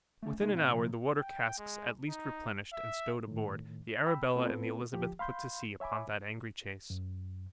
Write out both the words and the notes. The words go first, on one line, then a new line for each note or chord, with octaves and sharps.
Within an hour, the water-casks at least replenished and stowed aboard, the Arabella and the Elizabeth put to sea upon that angry chase.
A3 C#4
C2 A3 A#3 D#4
A2 C4 F5
C3 F3 A#3
G5
G#3
D#4
E5
A2 D#3
G5 B5 E6
A3 B3 C4 F4 A4 B4
D2 F3 G4
F5 B5 C6 G6
C#5 E5 G#5 B5 D6
F#2